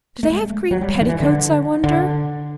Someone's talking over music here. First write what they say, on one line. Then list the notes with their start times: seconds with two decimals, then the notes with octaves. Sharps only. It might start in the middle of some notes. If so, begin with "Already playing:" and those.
Do they have green petticoats, I wonder?
0.23 A3
0.30 G#3
0.71 F#3
0.81 G3
0.95 F3
1.01 D#3
1.07 E3
1.20 D3
1.84 D3